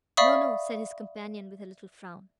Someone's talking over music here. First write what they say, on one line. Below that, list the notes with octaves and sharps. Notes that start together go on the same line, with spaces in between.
"No, no," said his companion, with a little frown.
D5 E5 F5 B5 C#6 D#6